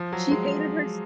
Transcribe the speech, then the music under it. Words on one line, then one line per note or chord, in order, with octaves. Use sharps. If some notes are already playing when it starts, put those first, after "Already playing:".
She hated her s
Already playing: F3
F#3
G#3